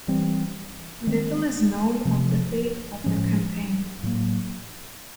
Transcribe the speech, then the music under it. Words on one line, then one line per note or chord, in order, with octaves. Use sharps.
Little is known of the fate of the campaign.
E3 G3 C4
D#3 G#3 C4
C3 F3 A3 C4
A2 F3 G#3 C#4
A2 F#3 A#3